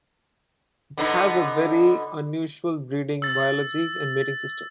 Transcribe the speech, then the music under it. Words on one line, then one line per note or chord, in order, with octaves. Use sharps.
It has a very unusual breeding biology and mating system.
D3 B3 D#4
E6 A6